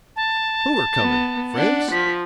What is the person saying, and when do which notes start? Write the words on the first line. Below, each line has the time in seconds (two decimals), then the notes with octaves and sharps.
'Who are coming--friends?'
0.16 A5
1.01 B3
1.54 D4 F#5
1.92 F3 B6